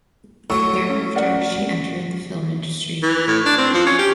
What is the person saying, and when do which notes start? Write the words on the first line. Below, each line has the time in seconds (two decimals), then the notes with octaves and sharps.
Thereafter she entered the film industry.
0.50 A2 F#3 C#6 E6
0.90 C#4
1.15 A#4 D5 F#5
3.03 E3
3.27 A2
3.46 D4
3.58 C4
3.74 F3
3.86 C#4
3.99 G4